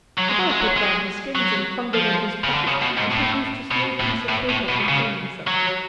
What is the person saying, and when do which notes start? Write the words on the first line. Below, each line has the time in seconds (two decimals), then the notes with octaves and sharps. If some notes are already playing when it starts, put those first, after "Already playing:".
The boy put down his skins and fumbled in his pocket, and produced a small piece of paper containing something.
0.18 F#3
0.28 G#3
0.39 F#3
0.49 G#3
0.60 F#3
0.77 G#3
1.36 F#3
1.94 F3
2.44 C#3
2.53 D3
2.67 C#3
2.82 B2
2.97 G#2
3.11 A2
3.71 B2
4.00 A2
4.29 A2
4.49 A2
4.69 B2
4.89 C#3
5.48 F#3